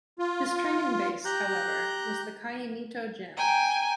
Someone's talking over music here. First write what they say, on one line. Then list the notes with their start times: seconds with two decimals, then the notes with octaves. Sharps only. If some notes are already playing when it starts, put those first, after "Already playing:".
His training base, however, was the Caimito Gym.
0.19 F4
1.25 G4 A#5 F#6 G6
3.37 G5 G#5 A#5